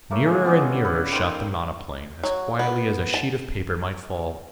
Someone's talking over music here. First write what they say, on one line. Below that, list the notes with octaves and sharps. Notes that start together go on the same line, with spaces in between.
Nearer and nearer shot the monoplane, as quietly as a sheet of paper might fall.
A3 A#3 C#5
G#3 F5
B3 C#4 G#4 D5
A4
B4
D#3 C5 C6
F#3
B3
A5